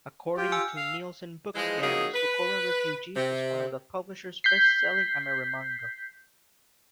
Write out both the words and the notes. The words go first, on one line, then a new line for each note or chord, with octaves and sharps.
According to Nielsen BookScan, "Sokora Refugees" is one of the publisher's best-selling amerimanga.
F4 G4
G#5 E6 F6
F5
E3 F3 G#3
F2 F#3 A#3 D#4 G#4
B4
C3
G6 B6 C7